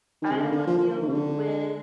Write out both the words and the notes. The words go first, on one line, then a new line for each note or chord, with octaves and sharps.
I don't wanna deal with,
D#3
C3
D3
D3
F3
F3
D#3
C3
D3